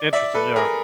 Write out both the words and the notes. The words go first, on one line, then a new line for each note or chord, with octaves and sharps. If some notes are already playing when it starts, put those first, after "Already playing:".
Interesting, yeah.
Already playing: D5
D5 E5
A4 B4
G#4 A#4